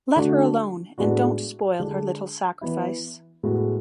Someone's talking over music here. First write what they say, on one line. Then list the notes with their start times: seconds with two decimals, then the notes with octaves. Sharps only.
Let her alone, and don't spoil her little sacrifice.
0.16 D3 A3 D4 F#4
0.98 A2 G#3 B3 D4 F#4
1.79 D3 G#3 D4
2.61 E3 B3 E4
3.43 A2 G#3 B3 F#4